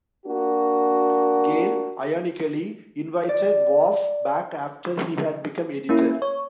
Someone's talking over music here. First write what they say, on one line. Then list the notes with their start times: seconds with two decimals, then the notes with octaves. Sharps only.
Gale, ironically, invited Waugh back after he had become editor.
0.26 A#3 D4 F#4
3.29 D5
5.89 A#3 C#4 E4
6.22 C#5